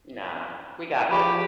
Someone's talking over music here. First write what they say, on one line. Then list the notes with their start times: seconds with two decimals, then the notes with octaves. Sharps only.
Nah, we got this.
1.09 F3 G#3 D#4 G4 B5 C#6